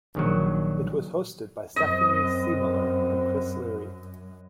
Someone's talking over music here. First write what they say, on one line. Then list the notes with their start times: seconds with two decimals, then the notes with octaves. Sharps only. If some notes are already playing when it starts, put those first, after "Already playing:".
It was hosted by Stephanie Siemiller and Chris Leary.
0.15 A#1 D#3 F#3
1.76 F#2 C4 D#5